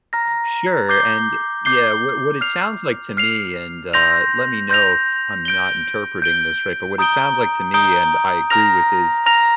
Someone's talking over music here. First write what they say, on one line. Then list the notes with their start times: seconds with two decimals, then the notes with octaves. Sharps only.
Sure, and yeah, what what it sounds like to me, and, uh, let me know if I'm not interpreting this right, but what it sounds like to me, and I agree with is,
0.13 A#5 F6 A#6
0.89 D6 G6 C7 G7
1.65 D6 G6 C7 G7
2.41 F6 C7 F7
3.17 F6 C7 F7
3.93 C6 G6 A#6 F7
4.70 C6 G6 A#6 F7
5.45 G6 D7 G7
6.22 G6 D7 G7
6.98 A#5 D#6 G6 D7 G7
7.74 A#5 D#6 G6 D7 G7
8.50 A#5 F6 A#6 F7
9.26 A#5 F6 A#6 F7